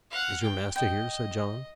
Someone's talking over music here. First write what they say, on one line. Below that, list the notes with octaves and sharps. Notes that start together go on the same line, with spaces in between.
'Is your master here?' said John.
F5 F#5
G5
D#5 G5